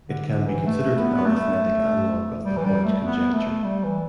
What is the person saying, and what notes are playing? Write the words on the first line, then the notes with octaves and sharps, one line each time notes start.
It can be considered an arithmetic analog of the Hodge conjecture.
D3
D3
E3
A3
B3
B3
A3
G3
E3
G3
A3
B3
A3
G3
E3